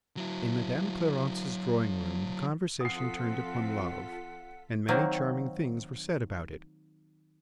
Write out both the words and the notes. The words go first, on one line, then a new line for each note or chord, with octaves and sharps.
In Madame Clarence's drawing-room the conversation turned upon love, and many charming things were said about it.
F#3 E4
F3 C4 F4 A4 F#5 D#6 B6 C7
D#3 F#3 A#3 C4